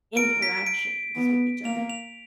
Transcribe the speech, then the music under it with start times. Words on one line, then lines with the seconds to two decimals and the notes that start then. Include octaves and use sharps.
interactions with each other.
0.17 A#4 D7
0.42 B6
0.67 D7
1.15 B3
1.65 A#3 F7
1.89 F7